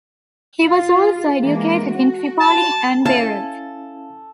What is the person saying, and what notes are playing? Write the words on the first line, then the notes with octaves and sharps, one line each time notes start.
He was also educated in Tripoli and Beirut.
F4
E3 G#3 A#3
F#4
A5
C#4 E4 A4 F5 G#5 A5